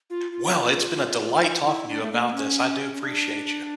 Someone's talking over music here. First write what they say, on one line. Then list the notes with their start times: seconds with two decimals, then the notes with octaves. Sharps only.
Well, it's been a delight talking to you about this, I do appreciate you.
0.10 F4
0.32 F4
1.66 E4
1.89 D4
2.01 A3
2.12 A#3
2.28 A#3
2.33 C#4
2.92 C#4
3.01 D4